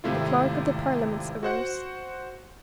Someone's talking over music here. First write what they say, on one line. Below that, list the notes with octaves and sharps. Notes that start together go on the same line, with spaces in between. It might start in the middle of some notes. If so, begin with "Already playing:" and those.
The Clerk of the Parliaments arose.
G#1 C3 A3 E4 F4
F#4 C5 F#5